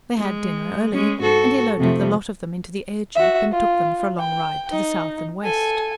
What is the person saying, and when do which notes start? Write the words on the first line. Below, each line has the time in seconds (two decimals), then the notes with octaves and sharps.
They had dinner early, and he loaded the lot of them into the airjeep and took them for a long ride to the south and west.
0.17 G#3
0.92 G#3 C#4
1.22 G#2 F#4 A4
1.78 F2 C3 A3
3.16 F#4 E5
3.52 F4
4.19 G5
4.71 D#4
5.43 A4 G#5